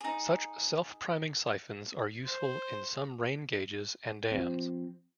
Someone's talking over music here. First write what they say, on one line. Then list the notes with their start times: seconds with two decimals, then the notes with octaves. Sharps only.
Such self-priming siphons are useful in some rain gauges and dams.
0.01 D#4 G#4
2.26 C5
4.31 F3 C4